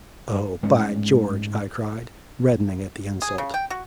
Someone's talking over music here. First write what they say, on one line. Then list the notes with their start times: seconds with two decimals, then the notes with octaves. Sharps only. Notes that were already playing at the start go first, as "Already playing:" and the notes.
"O, by George!" I cried, reddening at the insult.
0.63 G#2 G#3 A3 C#4
3.22 G#4
3.38 C#3
3.54 G5
3.70 F#4